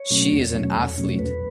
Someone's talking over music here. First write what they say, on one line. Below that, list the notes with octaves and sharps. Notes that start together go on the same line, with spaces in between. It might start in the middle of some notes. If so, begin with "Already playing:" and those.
She is an Athlete.
Already playing: C#5
B2 F#3 A3 C#4
E2
B2 F#3 A3 C#4
E2
B2 F#3 A3 C#4
E2 B4